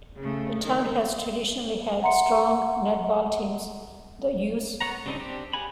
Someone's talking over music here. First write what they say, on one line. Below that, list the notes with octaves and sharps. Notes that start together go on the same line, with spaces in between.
The town has traditionally had strong Netball teams - The Ewes.
C#3 A3
D#3 A#4
E5 F#5 A#5 C6 C#7
B3 C#5 F#5 A#5
C#3 G3 C4 D4 D#4
C4 D4 G4
G4 G#4 F#5 G#5 B5